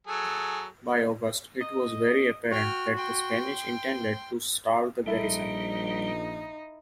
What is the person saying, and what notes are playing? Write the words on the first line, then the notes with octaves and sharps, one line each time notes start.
By August, it was very apparent that the Spanish intended to starve the garrison.
F#3 G#4 A4
D#5
F#4 G5 F6
G5 C6
A#1 G3 D#4 E4 A4